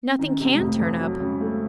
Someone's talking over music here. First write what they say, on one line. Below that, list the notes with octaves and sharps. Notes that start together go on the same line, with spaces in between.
Nothing can turn up.
C4
D#3 C#4
C3
G#3
F2 A3
F2
F#3 A3
C#3 A3
G#3
A3